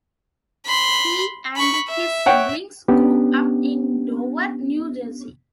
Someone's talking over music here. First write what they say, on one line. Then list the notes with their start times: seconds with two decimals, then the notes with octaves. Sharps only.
He and his siblings grew up in Dover, New Jersey.
0.66 B5 C6
1.56 B5 C#6
1.89 E5
2.26 C#5 F#5 G5
2.88 B3 C#4 D4 G4